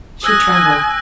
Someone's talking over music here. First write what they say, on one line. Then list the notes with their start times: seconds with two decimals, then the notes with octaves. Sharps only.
She trembled.
0.24 G#5 D#6 E6 F#6 A#6